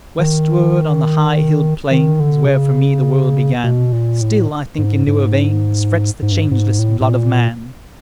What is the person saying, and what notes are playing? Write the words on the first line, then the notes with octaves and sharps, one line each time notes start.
Westward on the high-hilled plains Where for me the world began, Still, I think, in newer veins Frets the changeless blood of man.
D#3
D#3
D3
C3
C#3
B2
A#2
A2
G#2
G#2
G#2
G2
G#2
G#2
A2
A2
A#2